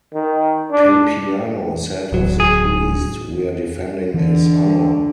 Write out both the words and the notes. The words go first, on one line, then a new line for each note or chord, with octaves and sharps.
Papiano said of the priest: We're defending his honor.
D#3
D4
D1 F#3
G#4
D3 E3